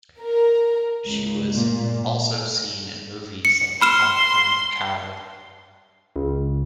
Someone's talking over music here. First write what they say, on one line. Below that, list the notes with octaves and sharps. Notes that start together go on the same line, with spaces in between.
She was also seen in movies like Popcorn Khao!
A#4
C#2
A#2
C#7
B5 C6 F6 E7
C#2